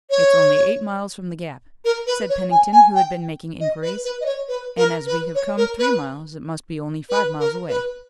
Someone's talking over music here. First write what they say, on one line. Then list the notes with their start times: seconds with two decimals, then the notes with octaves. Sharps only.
"It's only eight miles from the gap," said Pennington, who had been making inquiries, "and as we have come three miles it must be only five miles away."
0.10 C#5
1.85 A#4
2.07 B4
2.30 C#5
2.51 G#5
2.72 G#5
2.95 G5
3.60 D#5
3.82 B4
4.04 B4
4.21 D#5
4.26 C#5
4.48 B4
4.77 A#4
5.06 B4
5.35 C#5
5.57 A#4
5.79 B4
7.10 B4
7.40 A#4
7.69 B4